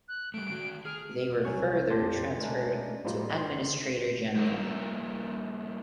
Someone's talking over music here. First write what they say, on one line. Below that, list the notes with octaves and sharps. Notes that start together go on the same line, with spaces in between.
They were further transferred to Administrator General.
F#6
G3 A3 D7
D#3 F#4
G#4 F6
C2 F#3 C#4 C#6
F2 A#2 D4 G4 A5 C6
G#3 A3 C#4 D4 A#4
A2 F3 G3 A#3 D#4 F4
C6
G2 D#3 A#3 E4 A#4